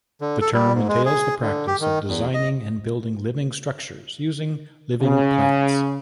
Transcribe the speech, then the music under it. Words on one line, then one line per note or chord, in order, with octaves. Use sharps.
The term entails the practice of designing and building living structures using "living plants".
D3
A4
G3
G#2
G#3
G#4
D3
G4
D#3
E2
D#5
C#3